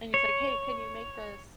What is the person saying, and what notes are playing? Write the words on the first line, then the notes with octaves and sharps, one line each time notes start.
and he's like, "Hey, can you make this,"
C#5